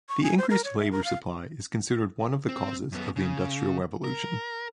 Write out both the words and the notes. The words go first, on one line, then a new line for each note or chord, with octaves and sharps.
The increased labour supply is considered one of the causes of the Industrial Revolution.
C#6
G#5
C5
A#4
C#5
E5
A#4
F5
C4
F#2 B3
C#3
A#4